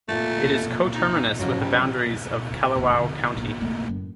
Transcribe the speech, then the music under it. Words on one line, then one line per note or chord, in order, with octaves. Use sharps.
It is coterminous with the boundaries of Kalawao County.
A#2 A3 F4 E5
D#4
G#2 C#3 F3 F#3
G3
E3
D#1 C#2
F2 D3
A#1
A3 A#3
F#2 A2